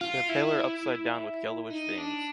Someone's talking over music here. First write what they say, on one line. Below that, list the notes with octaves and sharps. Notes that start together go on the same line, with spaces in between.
They're paler upside down with yellowish veins.
F4
E4
D#4
D4